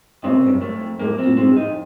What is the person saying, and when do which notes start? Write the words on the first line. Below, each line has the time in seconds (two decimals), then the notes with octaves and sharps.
"Okay, whoop-de-doo."
0.24 C#3 C4
0.49 F2
0.61 A3
0.75 F2
0.99 F#3 A#3
1.18 C4
1.25 C#3
1.37 C4
1.50 F2
1.56 D#4